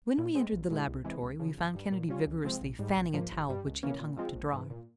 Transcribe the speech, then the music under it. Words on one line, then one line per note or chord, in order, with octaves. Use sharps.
When we entered the laboratory we found Kennedy vigorously fanning a towel which he had hung up to dry.
A#2
G#3 C4
A#1
A#2 G#3 E4
C2
C3 E3 G#3 E4
C#2
C#3 F3
G1
G2 G3
A#2
G3 C#4 F4
C#2
C3 F3 G#3 C4
A#1
G#2 G3
A#1
G#2 F3 A#3
G1
G2 G3
C#2
C#3 E3 A#3 C#4
A#2
F3 G#3 C4 F4
A#1
G#2 E3
A#2